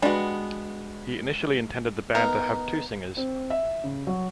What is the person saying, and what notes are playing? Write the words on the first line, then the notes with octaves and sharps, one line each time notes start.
He initially intended the band to have two singers.
G3 G#3 B3 D4 F#4
B3 D#4 A#4
C4
E5
C#3
F#3